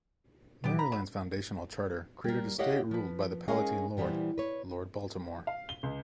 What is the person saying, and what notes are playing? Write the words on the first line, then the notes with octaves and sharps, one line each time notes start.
Maryland's foundational charter created a state ruled by the "Palatine lord," Lord Baltimore.
A#2 D#3 F#3 B3 G4
A#5 B5
F#3
G3 A#3
E4 G4 C#5 D#5 F5 F#5
F3 B4
G#3 C#4 G#4 A#4 D#5 F5
A#2 E3 G3 B3 C5
B4 C#5
F5
G7
C#2